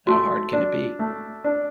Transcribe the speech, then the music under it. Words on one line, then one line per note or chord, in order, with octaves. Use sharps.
How hard can it be?
A3 F#4
D4
A3
D4